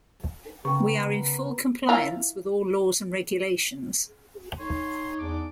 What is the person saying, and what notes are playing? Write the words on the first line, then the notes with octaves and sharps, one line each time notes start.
We are in full compliance with all laws and regulations.
C#3 B3 A#4 B4 G5 C#6
E4 F4 A#4
D#4 C#5 C6
E2 G#3 D4 D6